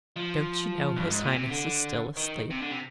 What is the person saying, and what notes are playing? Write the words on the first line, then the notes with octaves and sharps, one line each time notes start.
Don't you know his highness is still asleep?'
F3
G2
G#2
A#2
C3
D3
D#3
C3
D3
C3